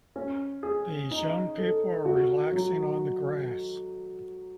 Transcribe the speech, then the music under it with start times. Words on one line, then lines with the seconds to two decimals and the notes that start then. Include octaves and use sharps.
These young people are relaxing on the grass.
0.16 C#4
0.63 G#4
1.11 D#4
1.58 A4
2.05 F#4
2.52 F#3